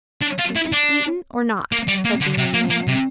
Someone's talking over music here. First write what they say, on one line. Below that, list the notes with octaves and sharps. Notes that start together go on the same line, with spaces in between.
"Is this eaten or not?" said the young man.
D4
F4
E4
D4
A#3
G3
A#3
D3
C3
A#3
A#3
C3